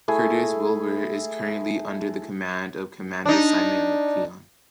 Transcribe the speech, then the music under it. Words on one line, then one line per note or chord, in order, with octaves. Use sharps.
"Curtis Wilbur" is currently under the command of Commander Simon McKeon.
A3 E4 G#4 G#5
D4 D#4